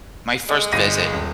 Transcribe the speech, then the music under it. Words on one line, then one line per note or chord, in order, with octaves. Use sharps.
my first visit-
G#3
G1 A#6 D#7
D#1